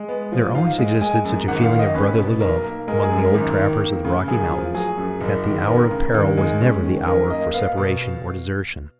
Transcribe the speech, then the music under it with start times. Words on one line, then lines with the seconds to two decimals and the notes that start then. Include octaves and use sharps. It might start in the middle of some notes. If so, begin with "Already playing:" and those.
There always existed such a feeling of brotherly love among the old trappers of the Rocky Mountains, that the hour of peril was never the hour for separation or desertion.
Already playing: G#3
0.09 B3
0.32 F3
0.54 G#2 F5
0.78 G#3
1.01 G#3 G#5
1.25 F#2
1.48 G#1 F#5
1.63 F5
1.71 D#3
1.79 D#5
1.94 C#4 B4
2.18 B2
2.41 B1 A#4
2.65 A#3
2.88 G#3 A#4
3.03 G#4
3.11 F#2
3.18 A#4
3.34 G#1
3.58 D#3
3.81 A#3
4.04 C#3
4.28 F#2 G#4
4.51 F3
4.75 F#3 G#4
4.97 F#2
5.21 F#1
5.44 D#3
5.67 B3 A#4
5.91 C#3
6.14 D#2
6.37 G#3
6.61 C#4
6.84 D#3
7.07 F#2 A#4
7.30 A#3 D#5
7.54 B3 F5
7.77 B2